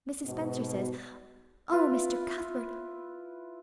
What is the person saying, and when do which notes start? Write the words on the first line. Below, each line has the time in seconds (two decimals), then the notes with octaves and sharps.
Mrs. Spencer says--oh, Mr. Cuthbert!
0.25 G#2 B2
1.71 E4 F4 B4